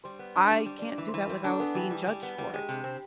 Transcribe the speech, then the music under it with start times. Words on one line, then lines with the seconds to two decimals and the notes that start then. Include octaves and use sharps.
I can't do that without being judged for it.
0.04 G3 C5
0.19 B3
0.35 D4
0.51 G3
0.66 G3
0.79 D4 D5
0.88 C#5
0.98 E3
1.08 C5
1.14 E3
1.29 G3 B4
1.44 D4 A4
1.60 B3 G#4
1.75 E3 G4
1.91 G3 G#4
2.07 G3
2.23 B3
2.38 G3
2.53 G#3 G4
2.69 C3
2.84 C4